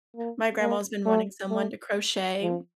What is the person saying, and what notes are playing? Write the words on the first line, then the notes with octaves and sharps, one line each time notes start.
My grandma's been wanting someone to crochet,
A#3
A#3
A3
A3
F3